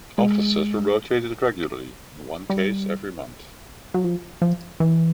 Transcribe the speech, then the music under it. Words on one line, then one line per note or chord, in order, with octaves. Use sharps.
Officers were rotated regularly-in one case every month.
G#3
G3
F#3
F3
F3
E3